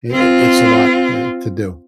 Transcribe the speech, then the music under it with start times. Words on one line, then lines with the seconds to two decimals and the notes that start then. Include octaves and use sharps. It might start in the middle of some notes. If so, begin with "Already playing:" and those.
i i it's a lot, eh, to do,
0.11 C4 F4